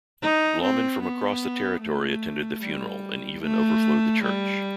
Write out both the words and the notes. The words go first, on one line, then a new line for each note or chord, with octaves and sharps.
Lawman from across the territory attended the funeral and even overflowed the church.
D#4
C4
B3
A3
G3
A3
G3